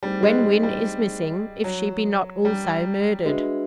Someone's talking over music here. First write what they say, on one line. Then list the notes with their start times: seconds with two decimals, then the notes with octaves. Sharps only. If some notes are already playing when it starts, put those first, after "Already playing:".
Gwen Wynn is missing, if she be not also murdered.
0.03 G3 A3 C4 D#4 G#4 C5
0.23 G#3
0.43 G#3
0.63 G3
1.64 F#3
2.45 G3
3.25 G#3 D4 F#4 B4 E5